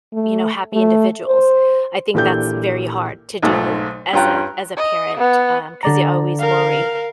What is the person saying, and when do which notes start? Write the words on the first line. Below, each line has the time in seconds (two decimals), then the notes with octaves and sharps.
you know, happy individuals. I think that's very hard to do as a as a parent, um, 'cause you always worry.
0.13 A3
0.72 A3
1.26 C5
2.14 A#1 A#2 E3 G4 A4 G6
3.42 B1 G#2 A3
4.13 G2 C#4 F4 G5 A#5 F#6
4.77 D#5
5.17 B3
5.83 D3 D5 A#5
6.39 A#4 F5